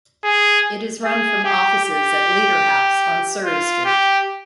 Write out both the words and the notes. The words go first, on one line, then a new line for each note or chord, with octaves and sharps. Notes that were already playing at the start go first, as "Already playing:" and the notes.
It is run from offices at Leader House on Surrey Street.
G#4
G#4
G4
G4
F4
G4